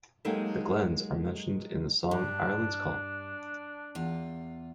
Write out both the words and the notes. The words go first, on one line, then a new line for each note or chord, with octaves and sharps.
The Glens are mentioned in the song "Ireland's Call".
F#3 G#3 A#3 D#4 G4 A4
G2 D4
E2 F4